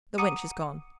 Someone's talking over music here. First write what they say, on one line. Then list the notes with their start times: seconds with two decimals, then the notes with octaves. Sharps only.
The wench is gone.
0.18 F#5 A#5 D6 D#6 C#7 D#7